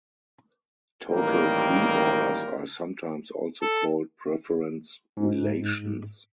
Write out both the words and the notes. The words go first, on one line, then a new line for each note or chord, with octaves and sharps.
Total preorders are sometimes also called preference relations.
A1 D#3 G3 A#3 A#4 G5
A4
G#2